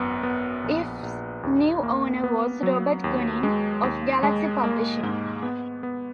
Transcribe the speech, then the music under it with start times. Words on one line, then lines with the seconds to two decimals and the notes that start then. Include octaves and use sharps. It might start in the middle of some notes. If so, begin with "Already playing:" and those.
"If"'s new owner was Robert Guinn, of Galaxy Publishing.
Already playing: G#1 F#2 B3
0.23 B3
0.64 A#1
1.03 A#1
1.43 D#2
1.83 A#3
2.24 B3
2.63 F#3
3.04 D#2
3.43 G#3
3.83 D#2
4.23 G#3
4.63 A#3
5.03 G#2
5.43 B3
5.83 B3